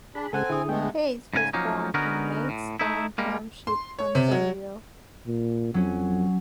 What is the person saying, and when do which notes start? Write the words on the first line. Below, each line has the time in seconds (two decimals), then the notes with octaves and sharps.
Hayes was born in Maidstone Township, Ontario.
0.15 D4 G#4 B5
0.33 C#3 G#3 C4 A4 F#5 G#5 F#6
0.50 D3 E4 G#4 D#6
0.69 G#3 A3 B3 G5
1.34 G#2 C#3 A#4 G#5
1.54 F3 F#3 A#3 C#4 D#4
1.94 D3 B3 C#4 D#4 F#4 A#4
2.49 A2
2.79 A3 D#4 E4
3.18 G3 G#3 A#3
3.67 C6
3.99 C#5
4.15 C3
4.31 F#3
5.27 A#2
5.74 F2 F#3 C#4